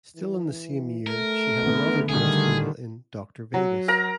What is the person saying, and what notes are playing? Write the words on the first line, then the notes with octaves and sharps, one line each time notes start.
Still in the same year, she had another guest role in "Doctor Vegas".
E3
A3 A#4
D3 B3
D3 D#3 G3 A3 G#4
F#3
A#4 A#5